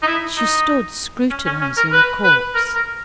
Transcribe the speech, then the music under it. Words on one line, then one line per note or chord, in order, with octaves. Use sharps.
She stood scrutinising a corpse.
D#4
E4
D#4
C#4
C#4
C#4
A#4
B4
B4
A#4
A#4